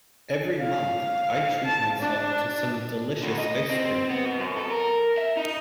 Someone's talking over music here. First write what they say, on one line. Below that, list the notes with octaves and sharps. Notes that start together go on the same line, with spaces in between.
Every month, I treat myself to some delicious ice cream.
F5
A5
D4
D2
D#5
C4
B3
B2
F#2
A4
A#4
E5
D#4